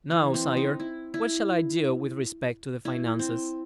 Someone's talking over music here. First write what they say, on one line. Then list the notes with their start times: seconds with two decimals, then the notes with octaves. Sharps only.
"Now, sire, what shall I do with respect to the finances?"
0.11 E3
0.34 C4
0.57 D#4
0.80 E4
1.14 E4
2.85 E4
3.19 C4